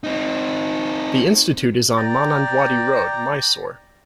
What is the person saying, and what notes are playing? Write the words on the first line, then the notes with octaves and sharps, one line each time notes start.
The institute is on Manandwadi Road, Mysore.
C4 D#4
D5 G5 A#5